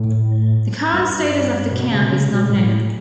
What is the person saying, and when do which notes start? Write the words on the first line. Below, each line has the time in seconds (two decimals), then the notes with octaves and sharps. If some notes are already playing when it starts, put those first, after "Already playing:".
The current status of the camp is not known.
Already playing: A2
0.94 G2
1.72 B2
1.91 C#3
2.03 B2
2.11 C#3
2.29 B2
2.49 A2